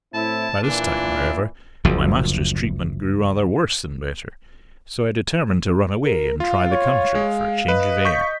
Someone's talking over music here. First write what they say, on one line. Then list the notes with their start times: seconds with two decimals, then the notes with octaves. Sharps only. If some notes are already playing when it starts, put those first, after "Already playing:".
By this time, however, my master's treatment grew rather worse than better, so I determined to run away and try the country, for a change of air.
0.14 A2 C4 E4 A5
0.63 A#2 E3 D4
1.85 F#1 D2 F3
6.04 A#4
6.40 F4 F5
6.71 C#5
7.15 G#3
7.68 B4 D#5
8.05 C#6 G6 B6